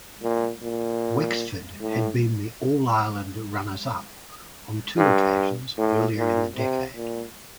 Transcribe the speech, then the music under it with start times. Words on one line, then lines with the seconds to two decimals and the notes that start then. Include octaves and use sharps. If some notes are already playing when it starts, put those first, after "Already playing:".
Wexford had been the All-Ireland runners-up on two occasions earlier in the decade.
0.23 A#2
0.62 A#2
1.81 A2
4.97 G2
5.78 A2
6.18 A#2
6.56 C3
6.96 A#2